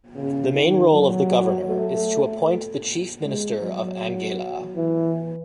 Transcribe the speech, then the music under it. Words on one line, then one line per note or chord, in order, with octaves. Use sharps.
The main role of the Governor is to appoint the Chief Minister of Anguilla.
C#3
D#3
F#3
A3
G#3
F#3
E3